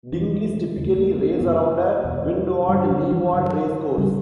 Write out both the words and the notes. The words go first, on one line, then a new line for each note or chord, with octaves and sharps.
Dinghys typically race around a windward-leeward race course.
E2 B2 E3
E2 C#3
A3
A#3
A#3
A#3
F#2 C#3 B3
E2 B2
G2 D3 G3
F#3
E3
G2 D3 F#3
C#3 G3